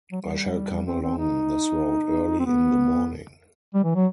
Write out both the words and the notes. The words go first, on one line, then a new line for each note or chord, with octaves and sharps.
I shall come along this road early in the morning.
F#3
G3
C4
C4
D#4
C4
B3
G3
E3
F#3